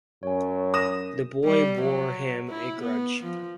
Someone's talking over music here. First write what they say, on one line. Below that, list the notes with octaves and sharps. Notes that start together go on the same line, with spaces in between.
The boy bore him a grudge.
F#2 C#5 G#5
D#6 A#6 E7
G3
F#3
E4
B3
F3